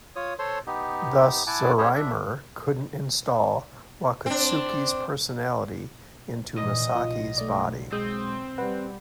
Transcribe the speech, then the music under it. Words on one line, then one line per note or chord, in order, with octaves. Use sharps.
Thus, Zeorymer couldn't install Wakatsuki's personality into Masaki's body.
F4 C#5 D#6
A4 C5 C#5 C6
B3 D#4 G4
E4 F#5 G#5 A5 D6
C#4 G4 G#4 C5 C#5 D#5
D4 E5
C4 D4
A#2 E3 D#5
B1 F4
A3 D5
G#3 C4 D#6 G6
G3 B4 F#5